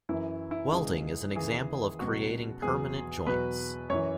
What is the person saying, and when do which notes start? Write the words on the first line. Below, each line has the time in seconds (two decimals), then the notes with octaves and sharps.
Welding is an example of creating permanent joints.
0.09 F#2 E3 E4
0.51 E4
0.71 C#2 C#3 E3 G#4
1.35 D#2 C#3 E3 G#4
1.99 C#2 B2 F#3 F#4
2.62 E2 B2 F#3 G#4
3.27 E2 B2 F#3 B4
3.89 F#2 E3 C#5